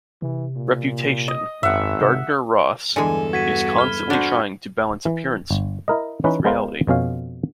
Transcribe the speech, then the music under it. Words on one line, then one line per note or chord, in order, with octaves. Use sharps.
Reputation: Gardner Ross is constantly trying to balance appearances with reality.
C3 E3
A#2
D#5
G#1 F#2 E5 F#5
C3
E2 G2 D3 E3 G#3 A4 G#5
F#4 G#6 B6 D#7
B5 F6 G7
D4 F#4 C5
E3
G1
E4 A#4 D#5
E3 C#4 D#4 B4
G#3 B3 A#4 C5 F5 F#5
F2 B2 C#4 F5